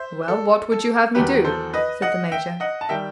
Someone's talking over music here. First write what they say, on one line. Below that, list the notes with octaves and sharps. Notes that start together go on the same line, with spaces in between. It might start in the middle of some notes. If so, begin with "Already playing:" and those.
"Well, what would you have me do?" said the major.
Already playing: C5 E5
A4
A4
E2 D#3 F#3 G4 B4
A4 C5
B4 D#5
D#5 F#5
E5 G5
D#5 F#5
A5
D#3 G3 E5 G5